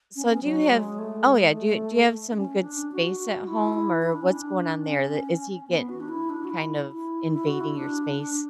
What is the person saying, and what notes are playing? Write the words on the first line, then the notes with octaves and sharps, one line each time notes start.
so do you have oh, yeah, do you do you have some good space at home, or what's going on there? The is he getting kind of invading your space?
C#4
B3
C#4
F#3
G#3
A3
G#3
A3
D4
C#4
D4
F#4
F#4
E4
E4
E4
D4
C#4
D4
C#4
B3
F#4
D4
E4
D4
F#4
E4
E4
E4
F#4
E4
D4
D4